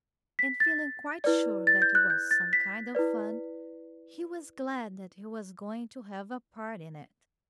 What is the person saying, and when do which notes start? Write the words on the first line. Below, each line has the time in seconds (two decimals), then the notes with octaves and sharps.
And feeling quite sure that it was some kind of fun, he was glad that he was going to have a part in it.
0.39 B6
0.60 A6
1.24 E4 B4 D5
1.67 A6
1.82 G6
1.95 F#6
2.10 G6
2.31 A6
2.53 B6
2.95 E4 B4 D5